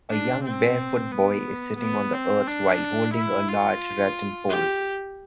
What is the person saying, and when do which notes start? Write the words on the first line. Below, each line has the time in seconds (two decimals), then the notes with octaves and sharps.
A young barefoot boy is sitting on the earth while holding a large rattan pole.
0.10 D4
0.44 C4
1.12 B3
1.79 B3
2.13 C4
2.47 D4
3.14 E4
3.49 F4
4.49 G4